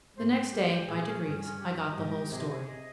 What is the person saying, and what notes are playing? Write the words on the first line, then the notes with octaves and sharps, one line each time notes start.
The next day, by degrees, I got the whole story.
G#2 C5
G5
G4
G4
A#2 G#4
C#4
G2 G#4
C#4
G4
D#5
G#2 G4
D#5
C3 G#4
G#4
D#5